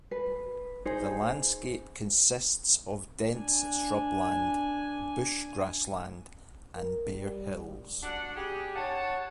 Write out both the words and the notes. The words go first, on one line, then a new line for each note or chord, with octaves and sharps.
The landscape consists of dense shrubland, bush grassland and bare hills.
B4
D#4 G#4 C5
D4 G#5
A#4
G3
D4 F#4 F#5
G4 G#4
D#4 C#5 F#5 A5